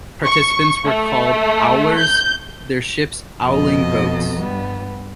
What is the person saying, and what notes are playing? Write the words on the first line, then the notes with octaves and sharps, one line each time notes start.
Participants were called "owlers"; their ships "owling boats".
C#6
A3
G6
F2 B2 A4 D#5
G2 G3 B3